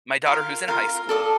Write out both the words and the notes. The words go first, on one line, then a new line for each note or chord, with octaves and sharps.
my daughter who's in high school
F4 A#4 F5
F4 A#4 F5
A4 D5 A5 D#6